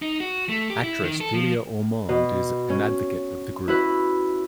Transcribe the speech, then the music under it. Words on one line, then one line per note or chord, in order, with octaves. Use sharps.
Actress Julia Ormond is an advocate of the group.
D#4
F#4
A3
G4
E4
D#3
A4
F3
B2
C#4
E4 F#4 B4